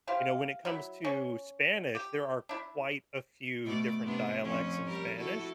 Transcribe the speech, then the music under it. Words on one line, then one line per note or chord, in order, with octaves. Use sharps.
you know, when it comes to Spanish, there are quite a few different dialects in Spanish.
E4 G4 C5 F5
F#3 E4
C#4
G4
D4 E4
B2 A3 D5
C3 B3 D4
F2 C4 C#4
G3 G4 A#4
E4 F#4 A4